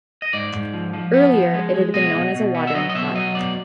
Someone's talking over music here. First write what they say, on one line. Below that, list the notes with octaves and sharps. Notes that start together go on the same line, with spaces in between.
Earlier, it had been known as a "watering pot".
D#5
G#2 D5
G#2
F3
F3
B3
F3
G#3
G#3
B2 D#5
B2
B2
B3
E5
F#3 D#5
D#5
B2 E5
F#3 D#5
B2 D5